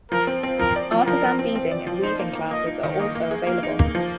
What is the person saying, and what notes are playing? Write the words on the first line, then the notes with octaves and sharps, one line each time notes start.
Artisan beading and weaving classes are also available.
F3 A#4
C4
C4
F3 A#4
D5
F3
F3 A#4
F3
C4
C4
D5
F3
D#4 C5
A#3
A#3
A#3 D#5
D#4
D#3
A#3 D#5
A#3
G#4
A#3 F5
D#4
A#3
F3